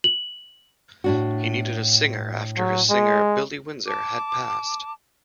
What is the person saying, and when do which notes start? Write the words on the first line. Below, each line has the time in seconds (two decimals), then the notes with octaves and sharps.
He needed a singer after his singer, Billy Windsor, had passed.
0.04 F#7
1.04 A2 D4 F#4
2.57 F#3
2.90 G#3
3.87 A5 D6